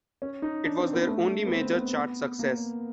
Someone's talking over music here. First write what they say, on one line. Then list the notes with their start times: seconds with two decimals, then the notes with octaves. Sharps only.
It was their only major chart success.
0.22 C#4
0.42 D#4
0.65 D4
0.79 C4
0.93 B3
1.08 A3
1.46 B3
1.51 C4
1.73 B3
1.96 B3
2.39 A#3